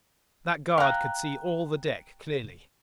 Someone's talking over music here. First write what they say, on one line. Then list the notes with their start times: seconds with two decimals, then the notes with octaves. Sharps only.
That guard could see all the deck clearly.
0.78 F5 G5 A#5 F#6